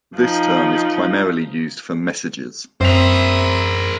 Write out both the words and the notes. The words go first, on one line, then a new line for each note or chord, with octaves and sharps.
This term is primarily used for messages.
F3 D#4
F#2 C4 A#4 C5 E5 D#6 F7